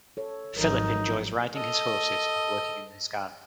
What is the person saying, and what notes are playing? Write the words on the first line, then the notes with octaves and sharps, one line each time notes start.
Philip enjoys riding his horses and working in his garden.
A4 C#5
G#1 F3 F#3 D#4 A#4
A4 D#5